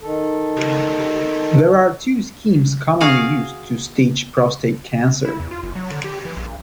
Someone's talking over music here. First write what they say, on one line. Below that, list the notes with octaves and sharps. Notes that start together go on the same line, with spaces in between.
There are two schemes commonly used to stage prostate cancer.
D#3 A4
F#4 G#4 F5
E4
E2
F4
F#1
F#3
D3
G4
E3
A#1